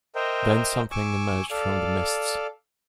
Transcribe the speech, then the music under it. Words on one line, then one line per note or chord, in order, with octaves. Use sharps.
Then something emerged from the mists.
A#4 C5 D#5 E5 G5
G#5 C#6 D6 E6
A4 D5 F5